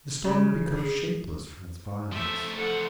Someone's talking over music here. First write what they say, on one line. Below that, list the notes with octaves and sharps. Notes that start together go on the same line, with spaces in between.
The storm had become shapeless from its violence.
C#3
G#4
F3 A3 E5
A4 F#5